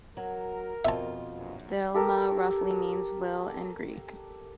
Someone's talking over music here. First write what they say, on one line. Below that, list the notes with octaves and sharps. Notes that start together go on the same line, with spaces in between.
Thelema roughly means "will" in Greek.
F#3 A#4
F2 B2 F4 E5 A5
A#1 F#2
G4 A4 A#4